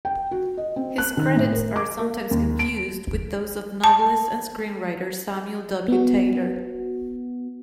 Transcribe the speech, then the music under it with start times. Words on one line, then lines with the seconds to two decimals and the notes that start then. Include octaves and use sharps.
His credits are sometimes confused with those of novelist and screenwriter Samuel W. Taylor.
0.05 G5
0.31 F#4
0.58 D#5
0.76 C4
0.98 F#6
1.17 D#3
1.36 A2
1.52 A#4
1.76 D6
1.99 A#3
2.31 D#2
2.59 D7
3.84 A5
5.88 B3 F#4